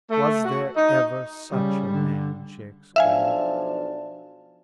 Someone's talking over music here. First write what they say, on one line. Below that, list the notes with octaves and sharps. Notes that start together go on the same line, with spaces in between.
"Was there ever such a man!" she exclaimed.
A3
F#4
D#4
C#3 G3
D3
B1 F3 D4 E5 F5 G#5